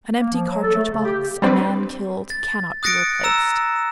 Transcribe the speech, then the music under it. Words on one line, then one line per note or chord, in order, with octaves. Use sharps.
An empty cartridge-box, a man killed, cannot be replaced.
A#3
F3
F#3
A4
A3
C#3
G4
G3 C4 D4 B4
A6
D#6 F#6 A6 A#6 C#7 D7
A#5 E6 E7